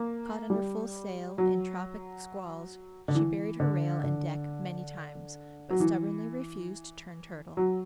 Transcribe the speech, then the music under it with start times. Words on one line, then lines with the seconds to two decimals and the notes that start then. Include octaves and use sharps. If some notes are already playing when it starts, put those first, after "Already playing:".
Caught under full sail in tropic squalls, she buried her rail and deck many times, but stubbornly refused to turn turtle.
Already playing: A#3
0.50 G3
1.38 F#3
3.08 D3
3.15 E3
3.60 D3
4.04 D3
5.70 F#3
5.80 E3
7.57 F#3